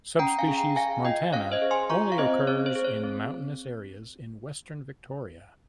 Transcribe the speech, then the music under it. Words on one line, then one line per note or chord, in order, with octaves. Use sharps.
Subspecies "montana" only occurs in mountainous areas in western Victoria.
C#4 G5 A#5
F5 G#5
G#4
G5 A#5
G#4 F5 G#5
F4 D#5 G5
C#4 C#5 F5
C5 D#5
G#4
G#5 C6
F4 A#5 C#6
F5
C4 C5 D#5
C4 C#5
C5
G#4
C#5
C4